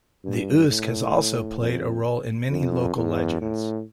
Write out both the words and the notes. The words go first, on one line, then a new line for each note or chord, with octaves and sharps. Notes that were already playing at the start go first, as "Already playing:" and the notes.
The Usk has also played a role in many local legends.
G2
A2
A2
F2
F2
E2
A2